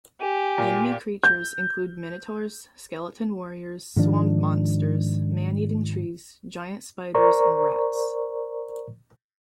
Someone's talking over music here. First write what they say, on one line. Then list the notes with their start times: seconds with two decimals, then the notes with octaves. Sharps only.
Enemy creatures include minotaurs, skeleton warriors, swamp monsters, man-eating trees, giant spiders and rats.
0.21 G4 G#5
0.58 A#2
1.23 G6
3.96 G#2 D#3 F3 D4
7.15 A#4 C5 D5 A#5 C#6